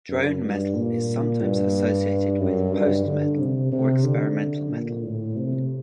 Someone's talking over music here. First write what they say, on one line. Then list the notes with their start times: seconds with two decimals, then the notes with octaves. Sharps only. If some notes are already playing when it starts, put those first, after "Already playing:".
Drone metal is sometimes associated with post-metal or experimental metal.
0.09 F#2
0.42 G2
0.75 A#2
1.41 G2
2.40 F#2
2.73 G2
3.06 D3
3.39 C3
3.72 C3
4.05 D3
4.70 A#2
5.03 A2
5.36 C3